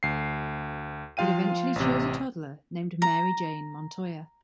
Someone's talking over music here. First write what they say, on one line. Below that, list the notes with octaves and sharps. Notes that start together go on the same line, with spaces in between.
It eventually chose a toddler named Mary Jane Montoya.
D2 C7
F3 F4 F5 G5 D#7
A1 C3
A#5